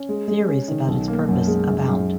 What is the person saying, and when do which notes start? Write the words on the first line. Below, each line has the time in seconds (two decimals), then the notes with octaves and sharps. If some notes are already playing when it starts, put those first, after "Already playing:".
Theories about its purpose abound.
Already playing: C#4
0.09 G#3
0.28 G#3
0.48 C#4
0.68 D#3
0.88 B1
1.08 A#3
1.28 F#2
1.47 G#3
1.68 F#2
1.88 F#2